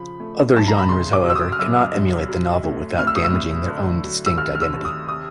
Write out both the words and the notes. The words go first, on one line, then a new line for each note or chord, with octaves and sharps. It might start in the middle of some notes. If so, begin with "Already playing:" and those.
Other genres, however, cannot emulate the novel without damaging their own distinct identity.
Already playing: C#3 F3 B5
A3
F#2 A5
A#5
B5
C#3 C6
D6
F#3
E6
D#6
F6
F#2 E6
F#2
F#3
A3
A2 F6
E6
D#6
E6
A2
D3
F#3
E6
D#2 F6
F6
E6
D#2
D#6
C3 D#6